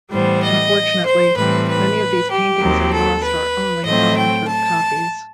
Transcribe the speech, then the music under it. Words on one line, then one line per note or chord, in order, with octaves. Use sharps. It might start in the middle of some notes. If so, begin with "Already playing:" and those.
Unfortunately, many of these paintings are lost or only known through copies.
A2 E3 G3 B3 C5
D#5
C5
A2 E3 G3 C4 B4
B4
G4
D#2 D#3 F#3 C4
A4
B4
A2 F#3 A3 C4 D#5
G5
A5